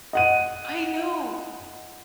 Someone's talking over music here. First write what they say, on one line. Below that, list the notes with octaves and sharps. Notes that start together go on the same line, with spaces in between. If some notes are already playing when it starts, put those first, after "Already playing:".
I know.
D#5 F#5 D#7